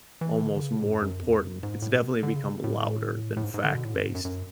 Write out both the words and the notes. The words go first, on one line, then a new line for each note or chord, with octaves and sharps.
almost more important. It's definitely become louder than fact based.
E3
D3
C#3
A2
F#2
F#2
E2
F#2
G#2
A2
B2
D3
C#3
A2
A2
G#2
G#2
D3
B2
A2
F#2
G#2
F#2
F#2